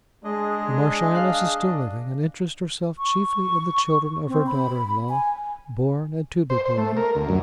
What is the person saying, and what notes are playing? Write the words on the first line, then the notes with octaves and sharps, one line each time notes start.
The Marchioness is still living, and interests herself chiefly in the children of her daughter-in-law,--born, and to be born.
G#3 D4 G#4 D#5
F5 F#6
C#6
C4
B5
G#5
C5
C5
A3
A#4
D2
F#2